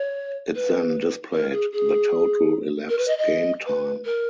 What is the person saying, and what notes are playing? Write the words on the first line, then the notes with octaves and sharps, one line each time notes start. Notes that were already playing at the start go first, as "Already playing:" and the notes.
It then displayed the total elapsed game time.
Already playing: C#5
B4
A#4
G#4
G#4
A#4
B4
D#5
D#5
B4
A#4